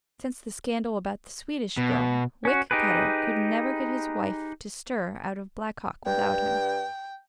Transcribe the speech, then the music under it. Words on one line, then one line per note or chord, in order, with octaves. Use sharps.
Since the scandal about the Swedish girl, Wick Cutter could never get his wife to stir out of Black Hawk without him.
B2
C#4 F#4
D#4 G4 G#4 B4
G2 G5